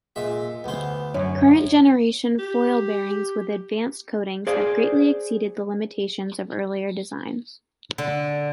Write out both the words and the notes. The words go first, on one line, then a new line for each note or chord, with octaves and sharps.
Current-generation foil bearings with advanced coatings have greatly exceeded the limitations of earlier designs.
A#2 G#3 E5
D2 B3 C5
F#2 C#4 C#5
G4
G#4 C5 D5 F5
D3